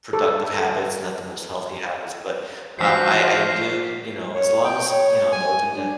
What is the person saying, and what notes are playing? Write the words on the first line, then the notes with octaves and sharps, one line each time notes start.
productive habits, not the most healthy habits, but, um, I I do, you know, as long as, you know, I'm open to
A4
F3 F#4 C5 F6 B6 C7
C#5
G5
C#5
G#5
D4